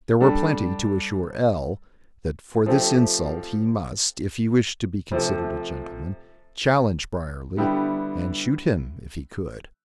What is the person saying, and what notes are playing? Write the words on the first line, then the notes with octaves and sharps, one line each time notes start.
There were plenty to assure L--that for this insult he must, if he wished to be considered a gentleman, challenge Briarly, and shoot him--if he could.
G3 D4 A4
F3 A3 C4 G4
C3 F3 A3
D3 G3 B3 E4 G4